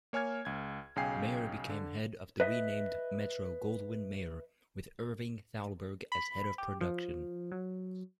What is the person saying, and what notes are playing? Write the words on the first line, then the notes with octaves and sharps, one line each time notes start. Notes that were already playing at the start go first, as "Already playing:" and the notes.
Mayer became head of the renamed Metro-Goldwyn-Mayer, with Irving Thalberg as head of production.
A#3 C#5 G#5 F6 G#6
C#2 G#6
B1 C#3 F5 G5 G#5 C7
D3
B4 D#5 E5
B5
G4
F3
F#3